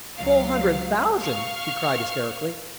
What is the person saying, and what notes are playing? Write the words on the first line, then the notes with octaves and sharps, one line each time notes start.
"Full hundred thousand?" she cried, hysterically.
C#2 F#3 F5
F5 C#6 F6